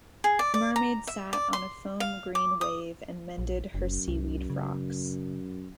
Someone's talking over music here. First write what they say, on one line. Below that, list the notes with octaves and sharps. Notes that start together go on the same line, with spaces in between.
A mermaid sat on a foam-green wave and mended her seaweed frocks.
G#4
D5
D5
A#5
E5
D5
C6
F5
D6
D#6
A#1
F#1 F#2
C2
C#3